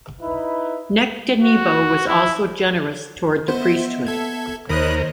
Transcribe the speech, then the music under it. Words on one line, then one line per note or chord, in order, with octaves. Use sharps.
Nectanebo was also generous towards the priesthood.
D#4 E4 B4
F#4
E4
B3 C5 D#5 E5
A4 E5 G#6
D#2 A#4 C5 C#5 D#5 B5 D#6 F#6